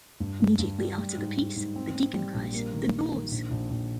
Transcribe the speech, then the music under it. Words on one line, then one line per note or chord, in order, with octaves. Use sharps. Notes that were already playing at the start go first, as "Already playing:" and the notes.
Immediately after the peace, the deacon cries The doors!
G2
G2
G2
G3
G3
G#2
G#2
G#2
C4
C4
G3
A#1
A#3
D#3
A#3
D#3
A#1
A#1
A#1